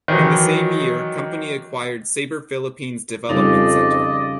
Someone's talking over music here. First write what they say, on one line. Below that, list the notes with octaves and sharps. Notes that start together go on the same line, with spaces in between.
In the same year company acquired Sabre Philippines Development Center.
D#3 E3 F#3
F2 C#3 G3 D#4 D5 D#5